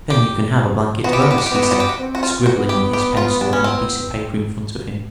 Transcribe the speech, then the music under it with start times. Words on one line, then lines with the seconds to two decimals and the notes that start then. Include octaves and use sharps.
"Then you can have a blanket verse," he said, scribbling with his pencil on a piece of paper in front of him.
0.10 G4
1.04 B3 F#4
1.13 G4
1.22 F#4
1.31 G4
1.38 F#4
1.46 G4
1.51 B3 F#4
1.63 G4
1.71 F#4
1.80 G4
1.89 F#4
1.99 C4
2.15 F#4
2.23 F4
2.46 B3 F#4
2.69 G4
2.93 G4
3.17 F4
3.41 D4
3.53 C#4
3.64 C4